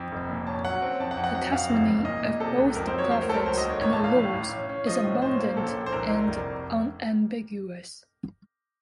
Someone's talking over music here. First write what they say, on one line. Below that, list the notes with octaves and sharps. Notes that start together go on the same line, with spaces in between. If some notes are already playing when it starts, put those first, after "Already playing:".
The testimony of both the prophets and the laws is abundant and unambiguous.
Already playing: F2
F1
A#2
C#4 A5
F#3 F#5
C4
F2 A5
F#5
F2
F#5
F#3 F#5
F2 F5
F#1
F#1
A#2 D#5
A#2
C3 A4
C#2
F2 A#4
C5
F#3 C#5
A3 C5
A#4
C#2 A4
A#4
F#3 C5
D#5
D#2
C#5
A1 C#5
A5
A3 F5
A2
A1
C#4
C#4
F3 D#5
A2
C#4 C5
A#3
A#1 A4
A#1
C5
C2 A#4
C2
F1